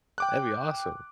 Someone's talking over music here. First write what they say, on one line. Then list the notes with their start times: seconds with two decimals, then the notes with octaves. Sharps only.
That'd be awesome.
0.18 G5 D6 F#6